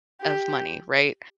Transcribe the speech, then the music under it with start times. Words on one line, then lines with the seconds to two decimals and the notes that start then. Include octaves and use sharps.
of money? Right?
0.21 G4